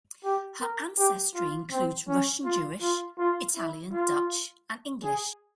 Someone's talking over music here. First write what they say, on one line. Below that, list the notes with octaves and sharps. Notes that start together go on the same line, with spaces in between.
Her ancestry includes Russian-Jewish, Italian, Dutch, and English.
G4
A#4
G4
F4
C4
C#4
F4
F4
F4
E4
F4
G#4